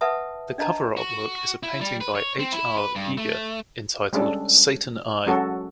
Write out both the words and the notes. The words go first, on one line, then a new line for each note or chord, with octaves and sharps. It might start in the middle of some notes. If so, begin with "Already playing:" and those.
The cover artwork is a painting by H. R. Giger entitled "Satan I".
B4 E5 F#5 A5 D#6
D4 D#5 A5 A#5
F#4
E4
G3
B4
C#5
C4
E4
B4
G2
A3
G3 G#3 C#4 D4 A4
F#3 G#3 C#4 F#4 A4